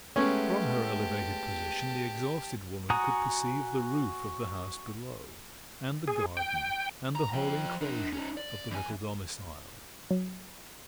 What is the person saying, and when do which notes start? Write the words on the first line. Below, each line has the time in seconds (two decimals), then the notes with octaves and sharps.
From her elevated position the exhausted woman could perceive the roof of the house below, and the garden and the whole enclosure of the little domicile.
0.16 G#3 A3 B3 C#4 G4 A5
2.90 F#4 F#5 G#5 A#5 D#6
6.08 G#4
6.37 G5
7.16 A#5
7.34 F3 G5
7.81 D4 A#4
8.13 C#4 D#4
8.37 D5
8.71 E2 G#5
10.11 F#3